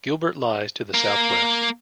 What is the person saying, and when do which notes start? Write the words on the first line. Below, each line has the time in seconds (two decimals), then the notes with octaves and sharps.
Gilbert lies to the southwest.
0.94 A#3